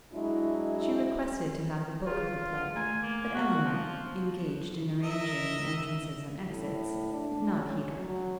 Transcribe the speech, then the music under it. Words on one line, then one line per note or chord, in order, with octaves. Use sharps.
She requested to have the book of the play; but Elinor, engaged in arranging the entrances and exits, did not heed her.
F#3 G#3 D4 E4
F4 G#4 B4
A3 G#5 A#5
A#3
B3 F#4
F3
A#4 D#5 E5
A2
D4
C#4
F#3